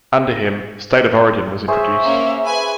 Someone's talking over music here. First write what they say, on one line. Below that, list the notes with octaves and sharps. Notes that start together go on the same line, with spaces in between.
Under him State of Origin was introduced.
G#4 C5 C#5 E5
A#3 C#4
B4 G#5